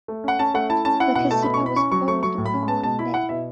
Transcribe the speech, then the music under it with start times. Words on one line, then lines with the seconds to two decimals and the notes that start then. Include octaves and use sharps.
The casino was closed on the following day.
0.08 A3
0.24 C#4 F#5
0.39 C#4 A5
0.54 A3 F#5
0.70 E4 A5
0.85 C#4 A5
1.00 E4 F#5
1.15 B2 F#5
1.31 A3 A5
1.43 B5
1.46 B2
1.54 C#6
1.61 E4 B5
1.76 C#4 C#6
1.92 F#3 C#6
2.08 A3 C#6
2.23 F#3 C#6
2.38 A2
2.46 B5
2.54 C#4
2.68 B3 A5
2.83 B2 A5
2.99 E4 B5
3.14 E4 F#5
3.29 B2 E5